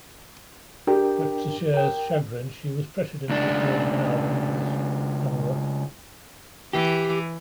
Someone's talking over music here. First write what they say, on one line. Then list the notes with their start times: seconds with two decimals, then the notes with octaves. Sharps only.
Much to Cher's chagrin, she was pressured into recording an album of this genre.
0.87 D4 G4 A#4 G5
1.74 A#4 G5
3.29 C#2 D4
6.73 E3 G4